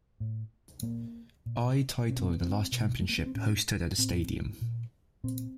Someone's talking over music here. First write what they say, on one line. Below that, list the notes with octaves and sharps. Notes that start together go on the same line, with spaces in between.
I title in the last championship hosted at the stadium.
A2
A#2 A#3
A#2
B2 C#4
C4
B3
C4
B2
A3
A#3
B3
C4
A2 C#4
A2 C4
A#2
A#2 C4